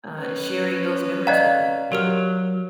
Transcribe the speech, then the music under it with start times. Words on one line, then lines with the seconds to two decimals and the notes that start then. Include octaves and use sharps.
uh, sharing those memories with me.
0.17 C#4 B4
1.27 D5 D#5 F5 A#5 F#6
1.92 F#3 G4 A#4 F6